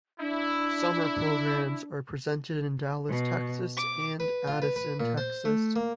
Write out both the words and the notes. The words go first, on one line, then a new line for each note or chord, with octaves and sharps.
Summer programs are presented in Dallas, Texas, and Addison, Texas.
D4 E4
B2
D6
B4
F4
B4
B4
A#2
C5
A3
A#3